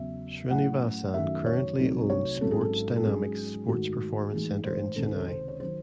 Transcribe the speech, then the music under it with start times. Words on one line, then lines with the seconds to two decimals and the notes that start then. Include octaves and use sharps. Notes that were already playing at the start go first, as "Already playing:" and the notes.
Srinivasan currently owns Sports Dynamix sports performance centre in Chennai.
Already playing: E2 C#3 F#3 E5
0.51 A2 F#3 C#4 E4 F#5
1.14 F#2 D#3 F#3 A3 E5
1.46 C#5
1.78 C2 C3 F#3 A3 D#4
2.10 C#5
2.41 G#1 G#2 F#3 C#4 A4
2.51 G#4
2.61 A4
2.96 A4
3.05 G#2 F#3 C#4 G#4
3.68 G#2 D#3 A3 D#4 F#4
4.32 A2 E3 G#3 D#4 G#4
4.64 C5
4.96 C#2 C3 D#3 A4
5.06 C5
5.14 A4
5.28 C5
5.48 C#5
5.60 D#3 F#3 C5